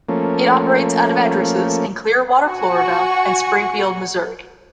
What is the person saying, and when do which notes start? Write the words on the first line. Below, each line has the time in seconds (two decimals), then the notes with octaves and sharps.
It operates out of addresses in Clearwater, Florida, and Springfield, Missouri.
0.09 F3 A3 A#3 C#4
2.45 F#4 F#5 G#5 C#6